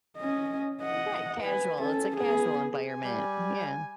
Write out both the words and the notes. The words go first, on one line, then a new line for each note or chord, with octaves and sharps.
Right casual, it's a casual environment. Mm yeah.
C#4 D#5
D#5 F#5
B4 G#5
C#4 A4
B3 G#4
G#5
G3